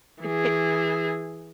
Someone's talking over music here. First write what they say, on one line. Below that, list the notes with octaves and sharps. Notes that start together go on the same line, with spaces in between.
It it
E3 G#4